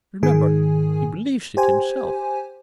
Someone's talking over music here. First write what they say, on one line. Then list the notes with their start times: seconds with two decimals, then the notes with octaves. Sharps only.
Remember he believes it himself.
0.23 G#2 D#3 G#4 G#5
1.57 G4 C5 G#5